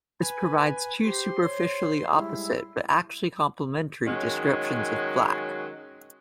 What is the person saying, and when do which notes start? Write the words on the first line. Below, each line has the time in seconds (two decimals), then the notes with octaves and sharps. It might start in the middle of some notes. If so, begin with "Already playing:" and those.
This provides two superficially opposite but actually complementary descriptions of black.
0.21 B4 G#5
1.04 G4 C5 C6
1.41 C#5
2.15 G3 G#3 E4
4.07 D#3 F#3 G#3 C#4